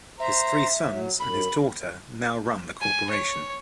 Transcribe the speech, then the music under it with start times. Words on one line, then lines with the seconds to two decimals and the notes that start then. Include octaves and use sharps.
His three sons and his daughter now run the corporation.
0.20 C5 E5 A#5
0.88 F#3
1.20 F#2 B5
2.80 G#5
3.10 C#5